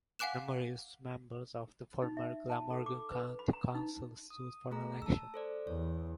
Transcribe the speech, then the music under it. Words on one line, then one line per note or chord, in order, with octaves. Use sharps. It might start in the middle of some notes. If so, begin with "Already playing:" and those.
Numerous members of the former Glamorgan County Council stood for election.
F5 F#5 G#5 D6 F#6 E7
D#4
E5
A5
A4
D6
B4
B5
A#5
D#4
D#6
A3 G#4 A#5
A5 E6
A4 C5 D5
E2 C#5